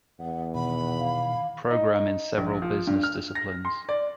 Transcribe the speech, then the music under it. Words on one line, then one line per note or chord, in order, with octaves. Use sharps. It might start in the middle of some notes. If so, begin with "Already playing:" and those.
Program in several business disciplines.
E2 F#5
B2 D#3 F#5 B5
F5
D#4
A#1
F3
G2
F6
A#6
C6
D5